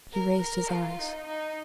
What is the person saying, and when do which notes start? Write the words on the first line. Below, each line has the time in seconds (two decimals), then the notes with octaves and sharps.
He raised his eyes.
0.13 A#4
0.41 A#4
0.70 F4
0.99 D#4
1.27 D#4